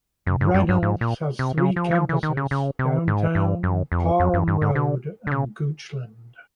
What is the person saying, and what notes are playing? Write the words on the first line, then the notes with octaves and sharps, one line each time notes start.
Reynolds has three campuses: Downtown, Parham Road, and Goochland.
F#2
G2
F#2
G2
G#2
A#2
C3
C#3
F3
E3
F3
E3
D#3
C#3
C#3
C3
G#2
G2
F#2
F2
F2
F#2
G2
G#2
D3
D3
C#3